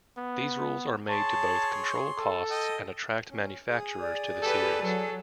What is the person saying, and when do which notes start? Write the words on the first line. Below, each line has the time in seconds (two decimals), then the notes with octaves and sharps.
These rules are made to both control costs and attract manufacturers to the series.
0.17 B3
1.09 G#4 C#5 A5 C6
2.18 A4
2.50 D#5 G5
3.30 C#4
3.70 G#4 D#6
4.01 D5
4.43 G4 A4 B4
4.82 F#3 A4